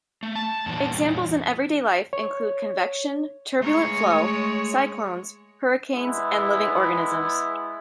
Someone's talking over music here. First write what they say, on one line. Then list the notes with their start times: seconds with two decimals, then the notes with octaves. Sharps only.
Examples in everyday life include convection, turbulent flow, cyclones, hurricanes and living organisms.
0.23 A3
0.35 A5
0.66 E2 A#2 E3 G3
2.13 C#5
3.62 G#3 A3 C#5 A#5
5.94 G#3 B3 E4